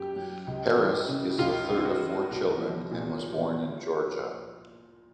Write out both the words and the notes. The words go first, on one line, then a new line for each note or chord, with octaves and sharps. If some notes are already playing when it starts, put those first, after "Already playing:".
Harris is the third of four children and was born in Georgia.
Already playing: F#2 G4
F#3
C#2
E3
C#3
C#2 F4
C#2
F4
F#4
E3
C2 F#4
F3
A#2